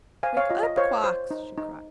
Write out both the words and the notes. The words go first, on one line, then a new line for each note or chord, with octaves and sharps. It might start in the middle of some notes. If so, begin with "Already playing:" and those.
"Wake up, Quox!" she cried.
C5 F5 G#5
C#5 F5
F4 D#5
D#5
C5 C#5 F5
C5
D#4
D#4